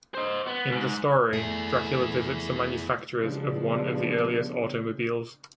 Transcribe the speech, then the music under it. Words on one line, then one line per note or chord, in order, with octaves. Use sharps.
In the story, Dracula visits the manufacturers of one of the earliest automobiles.
C5 D#5
B3
G#2
A3 E4 G#4
C#3 F3 G3 G#3 B3 D4